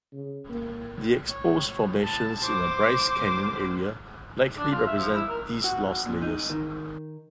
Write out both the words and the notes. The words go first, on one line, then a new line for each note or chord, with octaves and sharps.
The exposed formations in the Bryce Canyon area likely represent these lost layers.
C#3
A#3
C#5
A5
C5 D6
D4
F4
E5
F3
E4
A#4
F#4
A#2
D#4
D#3